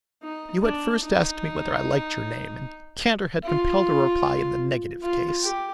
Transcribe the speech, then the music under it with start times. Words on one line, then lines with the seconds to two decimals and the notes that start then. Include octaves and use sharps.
You had first asked me whether I liked your name, and Candour had compelled a reply in the negative case.
0.23 D#4
0.63 D4
1.03 D#4
3.43 F4
5.03 F4
5.43 G4